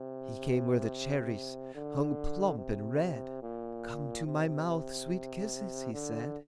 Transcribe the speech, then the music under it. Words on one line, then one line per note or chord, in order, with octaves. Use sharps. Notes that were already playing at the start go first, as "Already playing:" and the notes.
He came where the cherries hung plump and red: "Come to my mouth, sweet kisses," he said.
Already playing: C3
D3
C3
A#2
C3
D3